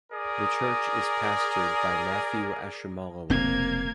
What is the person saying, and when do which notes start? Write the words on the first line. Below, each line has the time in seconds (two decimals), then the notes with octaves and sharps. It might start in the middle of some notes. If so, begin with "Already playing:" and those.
The church is pastored by Matthew Ashimolowo.
0.12 G#4 A#4 D5 D#6
3.30 F1 B2 A#3 C4 G#6